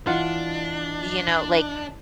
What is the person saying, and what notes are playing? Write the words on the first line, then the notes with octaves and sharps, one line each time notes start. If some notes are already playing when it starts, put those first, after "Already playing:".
you know like,
E3 D4 F4 D#5 F#5